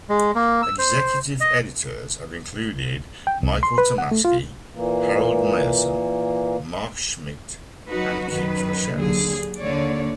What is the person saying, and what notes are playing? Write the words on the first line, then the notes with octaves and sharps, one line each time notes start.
Executive editors have included Michael Tomasky, Harold Meyerson, Mark Schmitt, and Kit Rachlis.
G#3
A#3
E6
C5
D#5
G5
C2
C6
B4
F#5
A3
F4
A#2 E3 A#3
F#3 D#4 F#4 B4
F#2 D#3 B4
D#2 D3 F#3 G#4
D#2 D3 A#3 C#5 D5